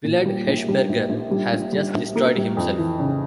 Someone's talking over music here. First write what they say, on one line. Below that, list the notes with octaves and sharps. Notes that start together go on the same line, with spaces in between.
Willard Hershberger has just destroyed himself.
A#2
G3
A#1
G3
A#1
A#1
G3
A#1
G3
A#1
A#3
G3
F2
E3
C#3